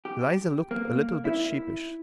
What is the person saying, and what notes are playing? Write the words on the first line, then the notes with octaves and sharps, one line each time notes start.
Eliza looked a little bit sheepish.
G4
A#3
E4